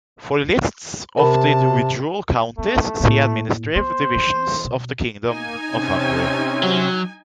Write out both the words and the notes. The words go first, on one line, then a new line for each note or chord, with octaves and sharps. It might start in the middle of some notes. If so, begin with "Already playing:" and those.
For lists of the individual counties, see Administrative divisions of the Kingdom of Hungary.
C3 A#4 A5 B5
A3 B3
A2 A#3
B3 C5
E3
B2
A#3 D#4 G#5
C3 C4 C#4
F#3